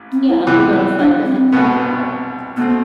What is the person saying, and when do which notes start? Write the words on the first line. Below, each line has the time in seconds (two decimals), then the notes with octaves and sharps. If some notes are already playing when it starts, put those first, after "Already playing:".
Yeah, and we're gonna fight to have clean water,
Already playing: A1
0.12 C4
0.29 E4
0.40 F4
0.47 C3 E3 B3 E4
0.99 D4
1.25 C4
1.53 C2 B2 B3
2.57 B2 A3 B3 C4